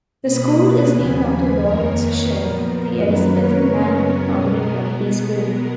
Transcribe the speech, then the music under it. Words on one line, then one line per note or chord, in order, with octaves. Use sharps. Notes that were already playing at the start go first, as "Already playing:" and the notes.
The school is named after Lawrence Sheriff, the Elizabethan man who founded Rugby School.
B2 A#3 B5 D#6
D#6 F#6
D#2 C#3 F3 G#5 B5
F2 D#3 A#3 A#4 C#5
B4
A#2 F3 B3 A#4
F#2 D#3 F#3 A#3 B4
A#4 C#5
F#2 C#3 G#3 B3
B2 G#3 B3 A#4
B2 G#3 B3
A#4